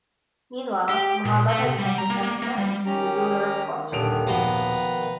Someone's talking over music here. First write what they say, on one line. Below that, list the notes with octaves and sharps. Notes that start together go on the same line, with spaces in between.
Meanwhile, Muhammad had sent his emissary to the ruler of Bosra.
G4
A#2
A3
C3
G3
A#5
A#3
A#3
A#3
G3
D#3 C#4 G4 A#5
D#1 D3 D7 F7
B2 F3 B4 A#5